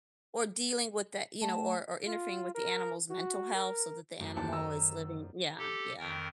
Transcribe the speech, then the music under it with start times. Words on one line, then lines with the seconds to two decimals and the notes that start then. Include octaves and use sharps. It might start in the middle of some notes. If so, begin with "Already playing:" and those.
Or dealing with that you know, or or interfering with the animal's mental health so that the animal is living Yeah, yeah.
1.41 A3 A5
2.06 F4
2.55 A#4
3.10 F#4
3.55 A#4
4.20 F#2 A3 F#4
4.37 D#2 D#4 C5 D5 F#5 A5
4.53 D#3 D#5 A#5 E6
5.58 G4 A4
5.99 F2 D#3 A#4